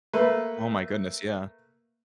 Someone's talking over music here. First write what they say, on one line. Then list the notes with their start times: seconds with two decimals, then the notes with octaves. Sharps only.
Oh, my goodness, yeah.
0.13 A3 A#3 B4